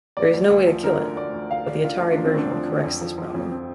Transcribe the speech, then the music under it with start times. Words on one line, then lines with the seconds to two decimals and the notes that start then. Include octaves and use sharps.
There is no way to kill it, but the Atari version corrects this problem.
0.17 D2 D5
0.33 D2
0.50 D2
0.67 F3
0.83 D3 A#4
1.00 D2
1.17 D2 D5
1.34 D2
1.50 D2 F5
1.67 D2 D5
1.84 D3 F4
2.00 D2 F4
2.13 F3 D4
2.25 C4
2.34 D2 D4
2.51 F3
2.68 D3
2.84 F2
3.01 F3
3.18 F3
3.34 F2
3.51 C4